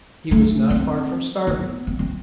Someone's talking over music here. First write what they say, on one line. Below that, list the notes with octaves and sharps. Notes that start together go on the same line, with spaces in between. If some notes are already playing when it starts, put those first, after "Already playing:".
He was not far from starving.
A3
C4
B3
C4
C4